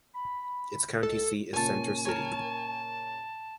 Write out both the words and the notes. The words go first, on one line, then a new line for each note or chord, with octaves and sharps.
Its county seat is Center City.
B5
C#2 A4
A#2 C#3 A#3 C#5 G#5 A5
A#4 C#5 A5